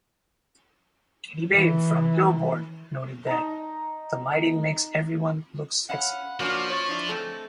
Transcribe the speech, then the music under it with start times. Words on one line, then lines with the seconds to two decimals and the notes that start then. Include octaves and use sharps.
Katie Bain from "Billboard" noted that "the lighting makes everyone look sexy".
1.53 E3
3.27 D#4 A#5
5.89 C#4 F5 F#5 B5
6.40 F3 A#3 C#4 D4 F#4
6.70 C#5 C#6 A6
6.88 D4 E4
7.09 G#3 A3 C4 A4